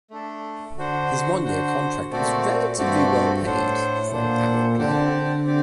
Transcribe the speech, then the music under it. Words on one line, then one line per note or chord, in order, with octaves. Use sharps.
His one-year contract was relatively well paid for an Arab player.
A3 D4 A4
D3 D4 F#4 C5 F#5
D4 F#4 C5 F#5
A#2 A3 C4 F#4 A4 D5
G2 A3 C4 F#4 A4 D5
A2 D4 A4 C5 F#5
A#2 D4 A4 C5 F#5
D3 C4 G4 D5 F#5 A5
D3
C4 G4 D5